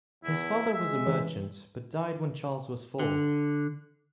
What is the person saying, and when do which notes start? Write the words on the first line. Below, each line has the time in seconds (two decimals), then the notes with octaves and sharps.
His father was a merchant but died when Charles was four.
0.24 E2 E4
0.74 G#3 E5
1.06 C#3 E3 C#5
2.99 D3